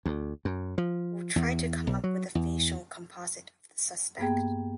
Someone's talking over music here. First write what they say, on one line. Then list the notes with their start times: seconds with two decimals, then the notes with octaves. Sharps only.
We’ll try to come up with a facial composite of the suspect.
0.05 D2
0.45 F#2
0.78 F3
1.36 E2
1.87 B1
2.04 F#3
2.35 E2
4.18 G2 A#3 B3 G#4 G5